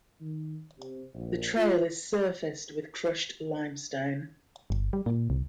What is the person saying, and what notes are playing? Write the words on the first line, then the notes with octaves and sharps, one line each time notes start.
The trail is surfaced with crushed limestone.
D#3
C3
A#1
F4
G1
G3
A#2
C2